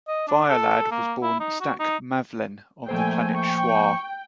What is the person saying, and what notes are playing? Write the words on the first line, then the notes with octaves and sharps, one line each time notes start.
Fire Lad was born Staq Mavlen on the planet Shwar.
D#5
D4
A4
A#3
E4
D#4
F#4
D#4
F3 A3 A#3 C5 G5 G#5
G5 C#6